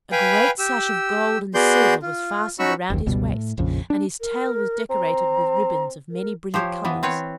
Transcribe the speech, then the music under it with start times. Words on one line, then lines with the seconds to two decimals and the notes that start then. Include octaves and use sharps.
A great sash of gold and silver was fastened around his waist and his tail was decorated with ribbons of many brilliant colors.
0.12 B4 F5 G5 G#5 B5
0.59 G4 E6
1.54 B3 F#4 G#4 D5 C6 G6
2.02 F4
2.59 C#4 D#4 F#4 B5 C#6 E6
2.90 F#1 D#2
3.06 G1 C#2 B2 G3
3.32 A2
3.58 A#1 F2 C#3
3.90 D4
4.21 A#4
4.90 C4 A#5
6.11 A#4
6.54 F3 G4 C5 C#5
6.85 E3 B3
7.03 C4 B4 C#5